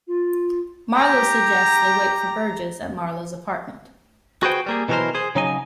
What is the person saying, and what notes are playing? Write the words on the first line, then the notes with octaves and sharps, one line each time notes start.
Marlow suggests they wait for Burgess at Marlow's apartment.
F4
G4 A#5
F#4 G#4 B4 C5 G5
G3 A#3 G#4
B2 E3 F#3 F#4 A#4 C5
G#4 C5
C#3 F#3 D#4 G#5